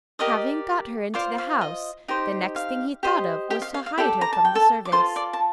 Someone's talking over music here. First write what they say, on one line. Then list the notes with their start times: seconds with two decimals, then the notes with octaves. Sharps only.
Having got her into the house, the next thing he thought of was to hide her from the servants.
0.19 G4 A#4 D5 D#5 D#6
1.14 F4 C5 D5 D6
1.38 F5
1.61 D#5
2.08 D#4 G4 C5
2.56 F5
3.03 G4 C5 D#5
3.50 G4 G5
3.62 F5
3.74 F5
3.86 F5
3.98 G4 A4 D5 G5
4.21 A#5
4.33 A5
4.45 G5
4.55 A4 A5
4.85 D6
4.92 F4 A4 C5 C6
5.16 D5 D6
5.33 A5